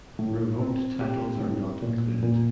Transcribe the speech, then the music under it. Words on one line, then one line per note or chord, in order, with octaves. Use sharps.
Revoked titles are not included.
A2
C4
G4
A2
A#2
A#2